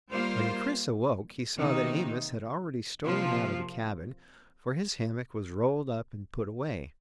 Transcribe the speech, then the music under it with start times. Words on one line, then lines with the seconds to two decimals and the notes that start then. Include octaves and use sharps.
When Chris awoke he saw that Amos had already stolen out of the cabin, for his hammock was rolled up and put away.
0.10 G3 A#3 F4 C5
1.57 C3 D#3 A#3 D#4
3.04 C3 F3 A#3 F4